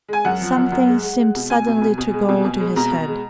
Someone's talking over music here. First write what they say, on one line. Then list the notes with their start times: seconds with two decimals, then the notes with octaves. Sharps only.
Something seemed suddenly to go to his head.
0.08 G#3 G#5
0.25 F#2 F#5
0.41 F3
0.57 F#2
0.72 F#2
0.88 G#3
1.03 G#3
1.19 G#3
1.35 B2
1.50 B2 G#5
1.67 B2
1.82 B2
1.98 B2
2.13 G#3
2.29 B2
2.44 B2
2.60 G#3
2.76 B2 A#5
2.92 B2
3.08 G#3